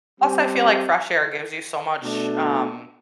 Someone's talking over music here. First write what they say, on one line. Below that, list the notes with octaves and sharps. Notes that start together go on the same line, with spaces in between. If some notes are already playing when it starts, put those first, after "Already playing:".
Plus, I feel like fresh air gives you so much, um
G3 C4 G4
B2 A3 D4